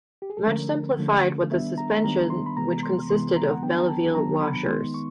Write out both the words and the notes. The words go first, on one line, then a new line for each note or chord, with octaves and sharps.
Much simplified was the suspension which consisted of Belleville washers.
G4
G#4
A4
D3 F3 A3 C#4 A#4
D3 F3 A3 C#4
D#3 G3 B3 D4 E5
A#5
D#3 G3 B3 D4 A#5
C6
B5
C3 E3 G#3 B3 A#5
C6
C3 E3 G#3 B3 C6
A#5
F#5
D#3 F#3 B3 D4 G5
A#5
A5
D#3 F#3 B3 D4 A#5
B5
D#3 G#3 B3 D#4 C6
C#6